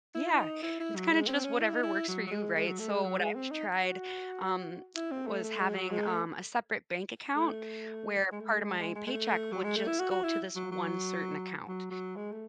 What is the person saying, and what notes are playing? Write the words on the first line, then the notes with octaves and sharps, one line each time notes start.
Yeah. It's kinda just whatever works for you, right? So what I've tried, um, was having, um, a separate bank account where part of my paycheck would just go to this one certain account.
E4
D#4
E4
E4
F#3
G#3
C4
C#4
E4
D#4
E4
F#3
F#3
G#3
G#3
F#3
A3
G#3
F#3
G#3
C4
D#4
F#4
E4
C4
A3
A3
G#3
F#3
G#3
A3
A3
G#3
A3
G#3
A3
G#3
G#3
G#3
G#3
A3
F#3
G#3
A3
E4
F#4
F#4
E4
F#3
F#3
F#3
F#3
G#3
A3